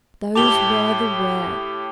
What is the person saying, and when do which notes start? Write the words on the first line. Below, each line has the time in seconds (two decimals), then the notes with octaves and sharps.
Those were the words!
0.35 A2 G4 A5 D6 F7 G7